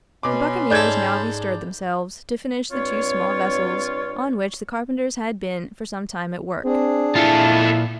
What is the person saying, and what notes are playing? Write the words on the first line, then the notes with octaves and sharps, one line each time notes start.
The buccaneers now bestirred themselves to finish the two small vessels on which the carpenters had been for some time at work.
B2 C#4 B5 C6 D6
G#2 A4 D5 G6 G#6
G2 C4 F4 C#5
C4 D4 G#4
A#2 E4 F4 A4 A5